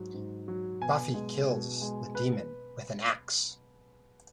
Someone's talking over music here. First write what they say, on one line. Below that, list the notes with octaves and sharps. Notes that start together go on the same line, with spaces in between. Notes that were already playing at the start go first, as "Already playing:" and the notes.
Buffy kills the demon with an axe.
Already playing: G#2 F#3
G#2
F#3
B2 G#5
G#3
B2
G#3
B4